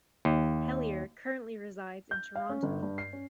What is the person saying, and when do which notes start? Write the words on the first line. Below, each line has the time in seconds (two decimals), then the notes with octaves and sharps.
Hellyer currently resides in Toronto.
0.25 D#2
2.11 G6
2.36 F5
2.50 C#4
2.63 G1
2.83 G2
2.98 C7
3.13 C#4